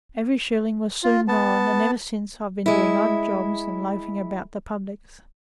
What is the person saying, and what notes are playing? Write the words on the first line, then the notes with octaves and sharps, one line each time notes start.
Every shilling was soon gone, and eversince I've been doing odd jobs and loafing about the publics.
F4
B3 A5
G#3 E4